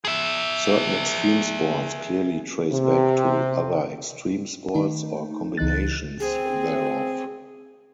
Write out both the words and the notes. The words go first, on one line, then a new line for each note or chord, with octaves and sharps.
Certain extreme sports clearly trace back to other extreme sports, or combinations thereof.
G#4 E5
C3
D#3 A3 D#4
C#2 E3 D#4 F#6 A6
C4 G#4